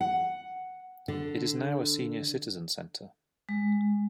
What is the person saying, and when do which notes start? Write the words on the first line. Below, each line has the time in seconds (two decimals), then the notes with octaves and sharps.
It is now a senior citizen center.
0.01 F#5
1.08 D3
3.49 G#3